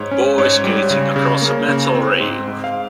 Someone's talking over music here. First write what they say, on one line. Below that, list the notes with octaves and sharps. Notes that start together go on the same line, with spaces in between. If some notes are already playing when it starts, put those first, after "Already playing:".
Boy skating across a metal rail.
Already playing: G#2 C#5
C#4
G#2 C#5
G3
C#3
C#3
A#3
C#3
C4
G#2
G#2
F5